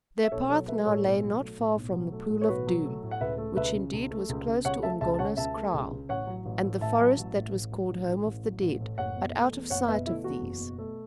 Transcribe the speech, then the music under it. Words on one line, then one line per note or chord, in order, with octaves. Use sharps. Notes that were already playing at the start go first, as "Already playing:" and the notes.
Their path now lay not far from the Pool of Doom, which, indeed, was close to Umgona's kraal, and the forest that was called Home of the Dead, but out of sight of these.
E5
B1 A4 C#5
F#3 A4 C#5
A3 B4 E5
A2 A4 C#5
B1
F#3
A3
A2
B1
F#3
A3
A2
C#5
B1 F#4 B4
F#3
A3
A2
F#5
C#2 B4 E5
A3
C#2 B4 E5
C#3
C#2
A3
C#2
C#3
C#2 C#5 F#5
A3 E5 A5
C#2 E5 A5
A5
C#3 C#5 F#5
C#2 E5 A5
A3
C#2
C#3
A1 C#5 F#5
F#3
A1
A2
A1 E5 A5
F#3
A1
A2
A1
F#3
A1
A2
A1
F#3
A1
A2
F#1 C#5 F#5
B2
A3
E2
F#1 C#5 F#5
B2 B4 E5
A3 E4
E2 F#4
F#1
B2
A3